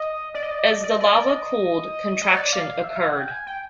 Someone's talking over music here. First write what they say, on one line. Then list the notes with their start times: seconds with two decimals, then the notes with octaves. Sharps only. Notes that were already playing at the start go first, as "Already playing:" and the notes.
As the lava cooled, contraction occurred.
Already playing: D#5
0.34 D5
0.43 D#5
0.51 D5
0.59 D#5
0.67 D5
0.75 D#5
0.83 D5
0.91 D#5
1.00 D5
1.08 D#5
1.16 D5
1.29 D#5
2.22 D#5
2.31 C#5
2.38 D5
2.53 F5
2.84 E5
2.96 F5
3.07 F#5
3.19 G5
3.31 G#5
3.47 G5